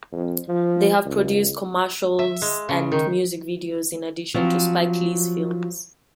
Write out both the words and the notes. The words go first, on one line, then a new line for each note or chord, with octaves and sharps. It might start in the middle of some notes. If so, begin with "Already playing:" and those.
They have produced commercials and music videos in addition to Spike Lee's films.
F2
F3
C#2
E5
G#3
C#3
D#3
F3 F#3 C4